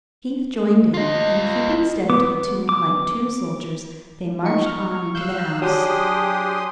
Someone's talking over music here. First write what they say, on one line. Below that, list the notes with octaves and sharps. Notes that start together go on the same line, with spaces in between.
Keith joined in, and keeping step to the tune, like two soldiers, they marched on into the house.
F4 D#5
B3 D6
D6
D#4 C#6 C#7
F6
F5 E6 F#6 G6
F#3 D4 G4 G#4 G5 C6 D#6